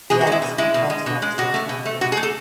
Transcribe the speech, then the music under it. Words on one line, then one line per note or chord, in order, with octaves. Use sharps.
The eggs are fertilised internally.
B2 G#4
F#4
G#3 E4
B2
G#3 E4
B2
G#3
B2
G#3
B2 F#4
A3
B2
A3
B2 F#4
G#4
A3
A4